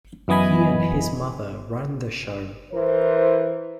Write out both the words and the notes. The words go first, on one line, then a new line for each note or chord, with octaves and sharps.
He and his mother ran the show.
F#2 E3 B3 D#5 G#5 B5
E3 A#4 C5